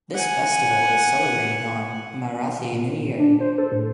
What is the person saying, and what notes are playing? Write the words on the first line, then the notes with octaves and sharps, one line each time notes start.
This festival is celebrated on Marathi New Year.
F#5 G#5
A#2
A#2
D4
C5
A4
A2